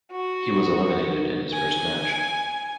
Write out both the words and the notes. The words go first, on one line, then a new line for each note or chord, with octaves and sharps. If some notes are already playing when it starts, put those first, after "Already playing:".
He was eliminated in his first match.
F#4
G#5